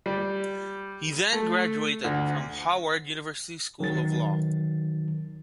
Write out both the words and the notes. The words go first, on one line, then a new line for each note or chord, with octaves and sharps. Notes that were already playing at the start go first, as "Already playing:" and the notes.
He then graduated from Howard University School of Law.
G3
A3
D2
D#3 F#3 A6